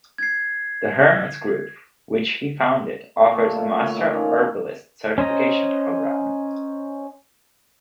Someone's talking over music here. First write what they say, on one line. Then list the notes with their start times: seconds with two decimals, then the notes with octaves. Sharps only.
The Hermit's Grove, which he founded, offers a Master Herbalist certification program.
0.18 G#6 C7
3.16 C6
3.31 A#2 A3 C#6
3.56 E4
3.82 E4 C#5 F#5
3.96 A#2 D#3 E3 D#4
4.13 C#4 F4 A#4 D5
5.18 C#4 C5 D#5 A#5